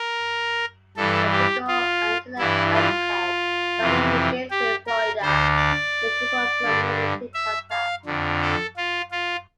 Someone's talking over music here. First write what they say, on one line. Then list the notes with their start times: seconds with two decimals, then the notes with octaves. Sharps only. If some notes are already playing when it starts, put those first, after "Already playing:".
A single 'Antillean axe head' found near Gainesville, Florida may support some limited contacts.
Already playing: A#4
0.97 G2 E3 A4
1.32 G4
1.68 F4
2.38 G2 E3 E4
2.74 F4
3.80 F2 C3 E3
4.51 G4
4.87 A#4
5.22 D2 D3 C5
5.57 D5
6.64 G2 D3
7.34 E5
7.70 F5
8.06 F2 D3
8.41 A4
8.77 F4
9.11 F4